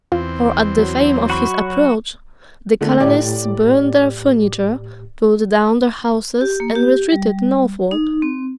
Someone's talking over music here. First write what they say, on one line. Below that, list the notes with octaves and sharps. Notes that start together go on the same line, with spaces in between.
For at the fame of his approach the colonists burned their furniture, pulled down their houses, and retreated northward.
E2 C4 F4
F#3
F#4 B5 C#6
D3 A3 A#3
A2 G4 D5
G4
A#3
G4
G3
D#4
C4